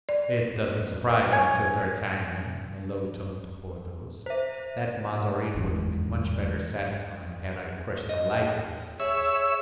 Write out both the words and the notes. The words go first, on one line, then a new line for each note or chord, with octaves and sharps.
"It doesn't surprise me," said D'Artagnan, in a low tone to Porthos, "that Mazarin would have been much better satisfied had I crushed the life out of his councillor."
D5
C#5 G#5
C5 E5
G1 E2 G#2
D#5
G#4 C#5 E5 E6